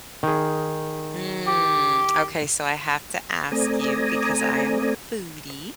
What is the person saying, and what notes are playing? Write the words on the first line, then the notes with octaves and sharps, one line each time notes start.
Mm, okay, so I have to ask you because I am a foodie,
D#3 G#4
G4
A3 C4 D5 G#5 A#5 D#6